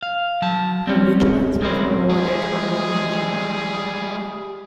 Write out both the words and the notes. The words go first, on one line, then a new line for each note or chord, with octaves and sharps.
Her vigilance was rewarded early in June.
F5
F#3 A5
C4 C#4
G#3 C4 C#4 E4 A#4 C5
E3 G3 G#3 G#4 D#5 E5